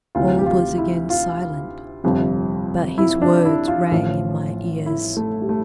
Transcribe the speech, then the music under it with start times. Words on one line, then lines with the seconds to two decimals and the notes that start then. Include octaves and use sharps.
All was again silent, but his words rang in my ears.
0.15 D2 C3 E3 F4
0.39 G4
0.46 F4
0.78 E4
1.10 F4
2.04 G1 F2 C3
2.98 E4
3.22 D4
3.45 E4
3.68 F4
3.91 A1 A2 F3
4.86 E4
5.17 A3
5.42 G3
5.49 A3